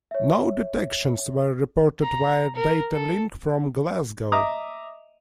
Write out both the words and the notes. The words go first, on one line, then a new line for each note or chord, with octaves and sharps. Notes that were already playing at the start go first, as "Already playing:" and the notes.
No detections were reported via data link from "Glasgow".
C#5 E5
A#5
A#4
A4
D#5 E5 A#5 D6 D#6